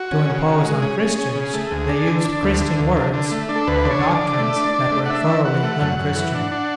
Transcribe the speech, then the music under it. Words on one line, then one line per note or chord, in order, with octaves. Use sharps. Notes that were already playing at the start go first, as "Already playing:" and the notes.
To impose on Christians they used Christian words for doctrines that were thoroughly unchristian.
Already playing: F#4
C#4
C#3
C#3
G#3
C#4 G#4
C#4
C#4
C#3
A3
D2
D4
D3
D4
D2
D3
D2
D3
D3
A3
D4
A4
D2 B4
D4
C#5
D3
D5
D3
A3
D4
D4
A3
F#5
D4 E5
E3
E3 F#5
A3
F#2
F#2
E3
D4
D4